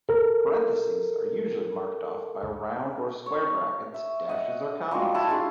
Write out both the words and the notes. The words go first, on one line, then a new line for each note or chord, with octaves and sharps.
Parentheses are usually marked off by round or square brackets, dashes, or commas.
A4 A#4
C#5
E5
D#5 F#5
F3 G3 G#3 F#4
E4 F#5 A5
D4 F4 G#4 F5